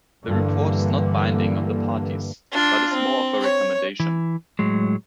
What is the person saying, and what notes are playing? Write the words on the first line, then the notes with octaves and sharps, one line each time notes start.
The report is not binding on the parties, but is more of a recommendation.
G2 D3 E3 A#3
D4 F4
C4
C#5
E3
A2 F#3 G#3